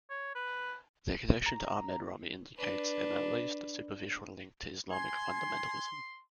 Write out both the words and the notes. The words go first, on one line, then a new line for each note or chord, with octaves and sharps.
Their connection to Ahmed Rami indicates an at least superficial link to Islamic Fundamentalism.
C#5
B4
A#5
D4 B4
G#5 C6 G#6